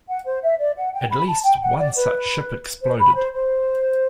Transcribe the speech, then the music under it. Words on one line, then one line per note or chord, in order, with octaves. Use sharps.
At least one such ship exploded.
F#5
C5
E5
D5
F#5
G5
B5
A5
G5
F#5
D5
B4
C5
B5
C5
C5